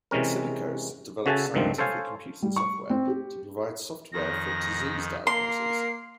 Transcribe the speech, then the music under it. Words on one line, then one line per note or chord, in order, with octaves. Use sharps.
Insilicos develops scientific computing software to provide software for disease diagnoses.
C3 E3 G#3 C#4 A#4
C#3 F#4 A4 E5 G#5 A5
C#2 G2 D#3 F3 A3 C4
A4 C5 C#5 F5 G#5
G3
C#6
C4
G4
F2 D#3 A#6
A#3 A#4 C6 C7